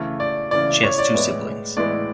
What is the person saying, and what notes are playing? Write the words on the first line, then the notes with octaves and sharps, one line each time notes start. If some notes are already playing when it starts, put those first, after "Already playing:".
She has two siblings.
Already playing: C#3 E3 A3
D5
C#3 E3 A3 D5
C#5
D5
A2 E3 G#3 B3
A2 E3 G#3 B3 D5